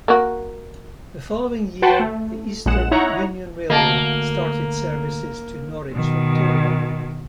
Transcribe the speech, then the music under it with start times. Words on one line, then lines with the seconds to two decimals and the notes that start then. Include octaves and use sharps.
The following year the Eastern Union Railway started services to Norwich Victoria.
0.08 A#3 F#4
1.82 F#4 B4 F#5 G5 A5 C6
2.00 A3
2.66 A#1 G#3 F#5 E7
2.91 D#4 E4 C#5 F#5 A#5
3.70 D2 A#3 D#5 A5
5.93 B2 D#3